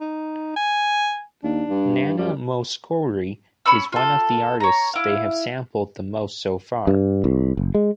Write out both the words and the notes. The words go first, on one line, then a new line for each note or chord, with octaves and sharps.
Nana Mouskouri is one of the artists they have sampled the most so far.
D#4
G#5
D#2 D4
G2
F#2 G3
C#4 B5 C#6 E6
F4 A4
C#5 A#5
E4 F5
G2
C2
F#1
G#3